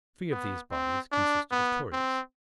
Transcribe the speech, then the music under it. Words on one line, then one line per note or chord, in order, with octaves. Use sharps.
Three of these bodies consisted of Tories.
B3
C4
D4
B3
C4